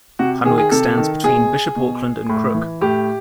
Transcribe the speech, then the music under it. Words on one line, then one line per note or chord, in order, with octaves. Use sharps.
Hunwick stands between Bishop Auckland and Crook.
C3 F#4
D#3 G#4
G#4
C3 A4
D#3
B2 G#4
B2
A2
E3
A2 G4